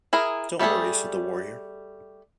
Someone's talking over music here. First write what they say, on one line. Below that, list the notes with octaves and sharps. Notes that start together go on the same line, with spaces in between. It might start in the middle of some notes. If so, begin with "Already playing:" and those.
"Don't worry" said the warrior.
E4 G#4 A#4
G3 A3 D4 G#4 A4